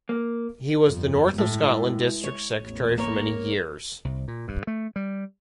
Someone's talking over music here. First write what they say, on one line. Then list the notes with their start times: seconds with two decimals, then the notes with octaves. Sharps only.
He was the North of Scotland district secretary for many years.
0.09 A#3
0.86 G1 F2
1.38 A2 G#3
2.24 C#5
2.61 A1 E2
2.98 A#3 A#4 C#5
4.05 C2
4.28 A#2
4.48 G2
4.67 A3
4.96 G3